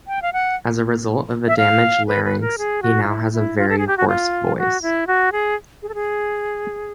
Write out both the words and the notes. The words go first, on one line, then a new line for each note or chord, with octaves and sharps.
As a result of a damaged larynx, he now has a very hoarse voice.
G5
F5
F#5
E5
F5
B4
B4
A#4
G#4
F#4
F4
E4
E4
F4
A4
G#4
G4
F#4
F4
F#4
E4
F#4
G#4
G#4
A4
G#4